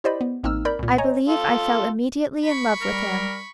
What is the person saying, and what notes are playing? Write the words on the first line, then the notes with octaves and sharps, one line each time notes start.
I believe I fell immediately in love with him.
E4 G4 C5 D5 D#5 B5
B3
A1 A#3 C4 D#4 E6 F6
A#4 D5 B5 G6
C2 A#2
C#5 D#5 G#5 A#5
F4 A4
B5 C#6
G3 A#4